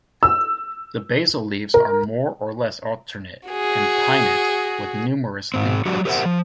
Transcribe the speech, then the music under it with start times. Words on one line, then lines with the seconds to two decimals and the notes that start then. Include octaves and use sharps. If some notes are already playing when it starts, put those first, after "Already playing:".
The basal leaves are more or less alternate, and pinnate, with numerous leaflets.
0.23 E6
1.74 A#4
3.48 F#4 G#4
5.54 G#2 C4
5.86 F#3 D4 F#4 G4
6.05 G4 A#4 C5 D#5 E5 F#5
6.26 F3